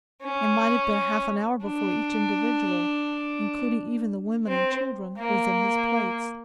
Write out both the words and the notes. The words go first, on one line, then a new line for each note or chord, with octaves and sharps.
It might have been half an hour before each individual, including even the women and children, was in his place.
C#4
D4
C4
A#3